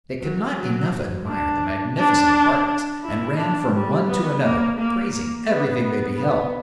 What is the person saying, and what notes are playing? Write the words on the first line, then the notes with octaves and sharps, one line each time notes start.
They could not enough admire the magnificent apartments, and ran from one to another praising everything they beheld.
F#3
F#3
D4
D4
E4
D4
G3
B3
A#3
A#3
A#3
B3
B3
B3